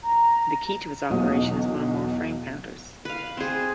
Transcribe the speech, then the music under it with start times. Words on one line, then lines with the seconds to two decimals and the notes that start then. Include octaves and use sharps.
The key to its operation is one or more frame counters.
0.02 A#5
1.10 B1 E2 B2 F#4 D#6
3.05 B4 F5
3.37 C4 G#4